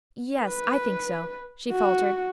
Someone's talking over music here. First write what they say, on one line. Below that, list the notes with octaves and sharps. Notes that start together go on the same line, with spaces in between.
"Yes--I think so," she faltered.
B4
F#4